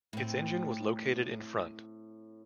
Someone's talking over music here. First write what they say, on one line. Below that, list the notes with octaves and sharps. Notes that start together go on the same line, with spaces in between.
Its engine was located in front.
A2 C4